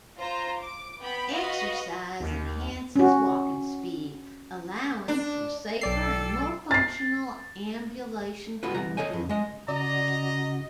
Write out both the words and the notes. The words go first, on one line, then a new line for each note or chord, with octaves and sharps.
Exercise enhances walking speed, allowing for safer and more functional ambulation capabilities.
F4 C5 A#5
D6
B3 G5 B5
F#4 B4 D#5 F5
D#2
C#4 F#4
D4
B1 A4 D5 G5 E6 C7
A6 C7
B3 F4 F#4 A4 B4
C2 E3 B3 A#5
G#4 A4 C#5 D#5 G#5
F2
G#3 D#5
C#3 F#4 D5 D#5 A#5